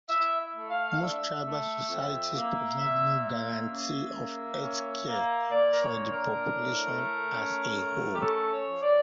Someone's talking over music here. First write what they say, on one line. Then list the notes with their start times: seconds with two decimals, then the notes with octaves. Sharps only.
Most tribal societies provide no guarantee of healthcare for the population as a whole.
0.10 E4 E5
0.39 E5
0.55 A3
0.70 F5
0.88 F5
0.99 D4 E5
1.44 A3
1.89 F2
2.35 A#3
2.79 A#2 E5
3.24 A#3 E5
3.70 C#3
4.14 A#3
4.59 C#4
5.05 A#3
5.50 A#2 D5
5.71 A#4
5.80 C#5
5.94 D4
6.10 A#4
6.40 A2
6.85 A3
7.29 C#4
7.75 A3
8.15 G4
8.19 C#4 A4
8.50 C#5
8.65 F3
8.81 D5